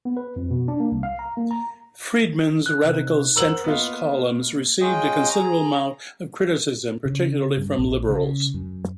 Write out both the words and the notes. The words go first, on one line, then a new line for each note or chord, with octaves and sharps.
Friedman's radical-centrist columns received a considerable amount of criticism, particularly from liberals.
B3
B4
F2
B2
D4
A#3
C2
F5
A#5
A#3
A#5
F#6
C3 D#4
A#4 C5 F#5 A#5 E6 F#7
A#3 B3 F4 D#5
G#3 C#4 F4 D#5 G5
G#4 A#5
C#3
G2
A#1
C#3
F#2